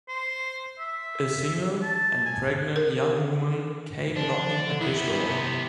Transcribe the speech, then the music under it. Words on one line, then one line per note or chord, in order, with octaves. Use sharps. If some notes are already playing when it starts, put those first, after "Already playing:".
A single and pregnant young woman came knocking at his door.
C5
E5
A5
G#5
A#4
F3 D4
D3
D#3 B3 E4
C3